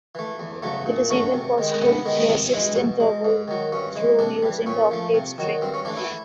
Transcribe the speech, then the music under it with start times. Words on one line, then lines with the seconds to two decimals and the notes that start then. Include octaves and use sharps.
It is even possible to play a sixth interval, through using the octave string.
0.15 E3 A3
0.39 E2
0.63 C#3 F#3 A3
0.86 A#2
1.10 F#3 A3 C#4
1.34 C3
1.58 D#3 G#3
1.82 C3 B3
2.06 D#3 G#3
2.29 C3
2.54 E3 G#3
2.76 B2
3.00 G#3
3.25 G#2
3.48 D#3 F#3
3.72 G2 C#4
3.96 E3 G#3
4.19 C3 D4
4.43 E3 G3
4.66 A#2 C#4
4.91 F3 A3
5.14 C3
5.38 D#3 F#3
5.61 G2 C4
5.74 C#4
5.85 E3 A3 D4
5.97 E4